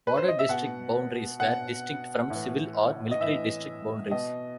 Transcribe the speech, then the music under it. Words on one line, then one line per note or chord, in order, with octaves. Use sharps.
Border district boundaries were distinct from civil or military district boundaries.
B4
C5
D#5
E5
B2 F#5
B2 F#5
A2 E3
D#5
A2 E3 E5
B2 D#5